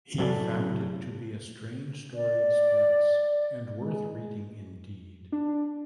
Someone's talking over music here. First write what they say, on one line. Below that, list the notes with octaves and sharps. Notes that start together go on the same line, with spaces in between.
He found it to be "a strange story of spirits and worth reading indeed".
F#2 A2 F#3 A3 D5
D5
G#3
D4